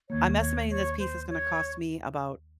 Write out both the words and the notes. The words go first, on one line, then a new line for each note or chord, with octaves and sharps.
I'm estimating this piece is gonna cost me about"
D#2 D#3 A#3 C#5
C#5
C#5
C5
C#5